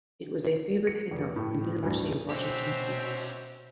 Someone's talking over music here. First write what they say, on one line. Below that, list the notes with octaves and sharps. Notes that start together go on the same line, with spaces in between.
It was a favored hangout for University of Washington students.
C#7
F1
A2 G4
D2 G2
B2 C4 C#4 F#4 G4 C5 E5